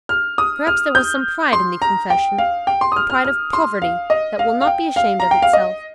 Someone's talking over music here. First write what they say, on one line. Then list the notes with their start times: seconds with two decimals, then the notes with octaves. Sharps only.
Perhaps there was some pride in the confession,-- the pride of poverty that will not be ashamed of itself.
0.09 F6
0.38 D#6
0.67 F6
0.95 G6
1.53 C6
1.82 A#5
2.10 G5
2.38 F5
2.67 G5
2.81 C6
2.92 D#6
2.96 F6
3.10 F6
3.24 F6
3.53 C6
3.82 F5
4.10 D#5
4.39 F5
4.61 F5
4.67 G5
4.96 F5
5.20 A#5
5.31 G5
5.42 F5
5.53 D#5